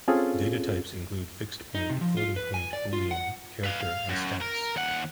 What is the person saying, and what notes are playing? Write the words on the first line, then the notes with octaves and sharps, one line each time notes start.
Data types include fixed-point, floating-point, boolean, character and status.
C4 C#4 F4 G#4 A4
D#4
C3
F3
F4
B4
G#5
D5
F4
F#5
B4 F5
F5
F#2
A#4
D#2 F#5